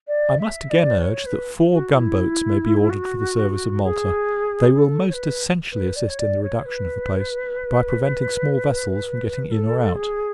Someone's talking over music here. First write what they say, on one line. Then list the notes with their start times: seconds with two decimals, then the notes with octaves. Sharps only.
I must again urge, that four gunb-oats may be ordered for the service of Malta; they will most essentially assist in the reduction of the place, by preventing small vessels from getting in or out.
0.07 D5
0.39 E5
0.70 D5
1.02 C#5
1.26 B4
1.73 F#4
1.96 E4
2.90 F#4
3.84 G#4
4.78 A4
5.09 C#5
5.14 B4
5.72 B4
5.96 D5
6.08 C#5
6.19 D5
6.43 C#5
6.65 B4
9.48 B4
9.51 A4
9.95 G#4